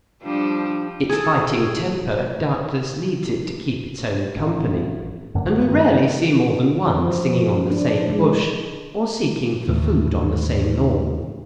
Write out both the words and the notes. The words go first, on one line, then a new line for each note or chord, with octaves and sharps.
Its fighting temper doubtless leads it to keep its own company, and we rarely see more than one singing on the same bush, or seeking for food on the same lawn.
F3 G3 D4
G#4 A4
A1
G#1 F#2 D3 A#3
G2 D#3
F3
D4
G#3
D#2 A2 E3